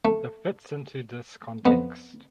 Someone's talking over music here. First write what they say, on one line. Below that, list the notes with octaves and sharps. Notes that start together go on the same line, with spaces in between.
The fits into this context.
A3
F2 B3